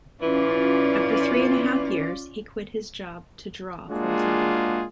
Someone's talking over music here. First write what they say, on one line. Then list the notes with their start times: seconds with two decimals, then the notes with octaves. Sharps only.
After three and a half years, he quit his job to draw full-time.
0.22 E3 C#4 F4 D5
3.90 G#3 A#3 D4 F4 F#4 G#4